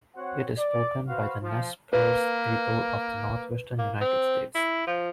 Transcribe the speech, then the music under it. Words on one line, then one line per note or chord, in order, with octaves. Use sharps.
It is spoken by the Nez Perce people of the Northwestern United States.
C4 F#4 C5 C#5 F#5
D5
F#4 B4 C5 F5
F3
A#3 B4
A#3
C4
E4
F3